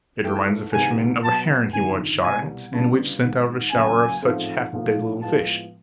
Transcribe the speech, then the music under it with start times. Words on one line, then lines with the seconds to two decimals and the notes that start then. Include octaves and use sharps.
It reminds the fisherman of a heron he once shot at, and which sent out a shower of such half-dead little fish.
0.24 G#2 E3 A3 G5
0.73 C2 C3 D#3 G#3 B3 G#5
1.23 B2 F#3 B3 A5
1.73 G1 F2 C3 D#3 G#5
2.23 C2 B2 G3 G#5
2.73 D2 C#3 E3 G3 B3 A5
3.24 G#2 D#3 G#3
3.72 E2 C#3 F#3 A#3 G#5
4.22 A1 G#2 F3 A3 C4
4.73 B1 A#2 F3 A3
5.22 A2 F3 G#3 B3 A5